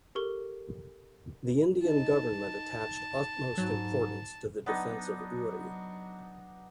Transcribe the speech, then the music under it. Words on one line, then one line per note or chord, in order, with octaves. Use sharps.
The Indian government attached utmost importance to the defence of Uri.
G4 A4 A#4 C#6 G7
D#4 A5
G#2 F#3
F#3 B3 D4 D#4